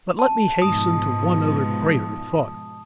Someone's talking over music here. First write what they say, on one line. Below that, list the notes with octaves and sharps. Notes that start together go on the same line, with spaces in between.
But let me hasten to one other greater thought.
A5
G#2 B2 F3 D#6